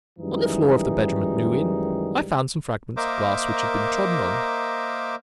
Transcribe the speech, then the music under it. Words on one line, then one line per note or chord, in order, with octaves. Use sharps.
On the floor of the bedroom at New Inn I found some fragments of glass which had been trodden on.
F#2 D#3 E3 G3 G#3 D#4
A#3 A#4 C5 D#5 E5 D6